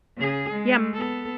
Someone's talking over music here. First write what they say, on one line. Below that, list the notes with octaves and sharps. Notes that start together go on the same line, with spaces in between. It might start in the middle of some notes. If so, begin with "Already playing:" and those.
Yeah, m
C#3 G#4
G#3
B3 A4